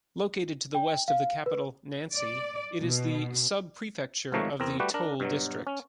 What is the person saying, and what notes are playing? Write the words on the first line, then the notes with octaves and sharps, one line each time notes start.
Located to the west of the capital Nancy, it is the sub-prefecture of the Toul district.
G5
F5
B4
D5
B2
G#1 G#2 F3 A3 A#4 C#5
E2 C4 A#4
G3 A3 F#4 G4 B4
D4 A#4
G2 B2 F#3
C#4